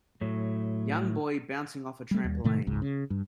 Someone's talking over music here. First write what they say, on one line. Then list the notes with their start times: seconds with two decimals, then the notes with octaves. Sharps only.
Young boy bouncing off a trampoline.
0.21 A2 F#3 A3
2.11 G3 A3
2.24 D#2 G3
2.44 A2 C3 D#3 A3
2.67 G1 C#2 G#2
2.82 C#3
3.10 G2